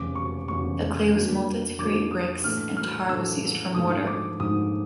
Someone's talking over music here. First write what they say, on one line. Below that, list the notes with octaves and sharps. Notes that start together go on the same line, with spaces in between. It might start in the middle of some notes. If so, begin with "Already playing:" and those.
The clay was molded to create bricks, and tar was used for mortar.
Already playing: F1 E2 C#3 D6
C#6
F1 E2 C#3 C#6
G2 D3 F#3 A#3 D4
G2 D3 F#3 A#3 D4 D6
D#6
A2 E3 A3 D4 F6
F6
A2 E3 A3 D4 E6
G#2 F3 A3 D4 D#6
D6
G#2 F3 A3 D4 D#6